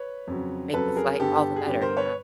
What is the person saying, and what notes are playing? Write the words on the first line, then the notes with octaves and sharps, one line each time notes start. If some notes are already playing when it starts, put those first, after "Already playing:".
make the flight all the better, you know?
Already playing: B4 C#5
F2 C#3 F#3
F2 C#3 F#3 A4 B4
G#4 A#4
G2 D3 G3 B3 G4 A4
G#4
G2 D3 G3 B3 G4
A#4 C5
B4 C#5